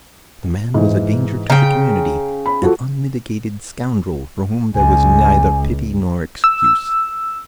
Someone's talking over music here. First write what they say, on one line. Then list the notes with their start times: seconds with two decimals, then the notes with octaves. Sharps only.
The man was a danger to the community, an unmitigated scoundrel for whom there was neither pity nor excuse.
0.74 G#2 E3
1.50 C#3 G5 A#5
2.46 B5
2.62 F3 F#4 A4
4.76 C#2 G#5
6.44 E6